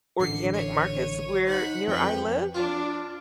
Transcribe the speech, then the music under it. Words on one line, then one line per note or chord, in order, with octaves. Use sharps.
organic markets where near I live,
A1 D3 C7 C#7
C#5 D#7
D#4 C5 F#5 B5
F2 F3 B4 G5
D4 F4